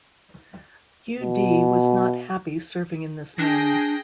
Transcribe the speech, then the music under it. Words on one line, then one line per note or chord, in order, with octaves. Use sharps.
Yu Di was not happy serving in this manner.
B2
D4 G#4 G5 A#6